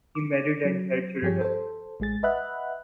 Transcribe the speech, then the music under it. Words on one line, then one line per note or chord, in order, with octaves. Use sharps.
He married and had children.
D6
F#3
G2 F3 G4 G#4 C#5
A4 C5
A1 G#3 G#4 A6
B4 D#5 E5 F#5 B5 F#6